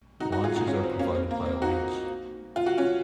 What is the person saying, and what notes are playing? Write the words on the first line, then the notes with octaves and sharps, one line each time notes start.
Launches are provided by a winch.
D#4 F#4
D#4 F#4
F4 G#4
D#4 F#4
C#4 F4
C4
A#3 C#4
C4
A#3
C4
D#4 F#4
F4
F#4
C#4 F4